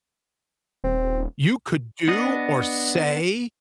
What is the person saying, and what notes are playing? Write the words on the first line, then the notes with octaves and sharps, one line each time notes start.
You could do or say
D#1 C4
B3 D4 D#5